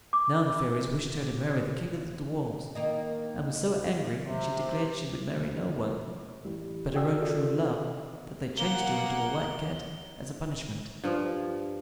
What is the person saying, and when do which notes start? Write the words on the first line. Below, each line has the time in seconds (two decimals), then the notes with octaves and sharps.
Now, the fairies wished her to marry the King of the Dwarfs, and were so angry when she declared she would marry no one but her own true love, that they changed her into a White Cat as a punishment.
0.13 D6
2.75 D#3 A#3 D#5
4.23 C3
6.44 A1 G3
6.94 F#4 D5 G5 E6
7.21 D#4 F4 A4 D5
8.57 A#3 F#5 G7
11.04 G2 F3